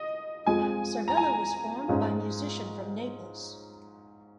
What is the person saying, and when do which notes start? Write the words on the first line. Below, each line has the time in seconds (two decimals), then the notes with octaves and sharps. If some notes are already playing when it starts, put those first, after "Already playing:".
Cervello was formed by musician from Naples.
Already playing: D#5
0.47 F2 F3 G#3 G#5
1.08 A#5
1.17 G#5
1.88 G#2 G#3 C#4 F4